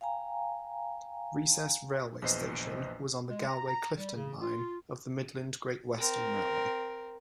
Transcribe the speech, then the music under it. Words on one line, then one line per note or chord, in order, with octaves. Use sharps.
Recess railway station was on the Galway-Clifden line of the Midland Great Western Railway.
F5 G5 G#5 A#5
A#1 E2 B4 C5 D#5 C7
G#3
A#5
A#5
G3
C#3
F4
C4 A#4